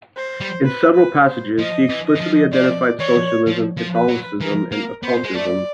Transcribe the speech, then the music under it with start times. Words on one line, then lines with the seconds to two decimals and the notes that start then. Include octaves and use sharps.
In several passages he explicitly identified socialism, Catholicism, and occultism.
0.17 C5
0.41 G3
0.65 B4
0.95 B4
1.26 C5
1.59 F3 D#5
1.89 E3
2.05 D#5
2.15 E3
2.20 F3
2.52 F3 D5
2.99 E3 C#5
3.47 F3
3.78 F3
3.93 B4
4.09 F#3
4.41 E3 A#4
4.72 A#3 A#4
5.03 B3 C5
5.24 G#3
5.35 A3 D5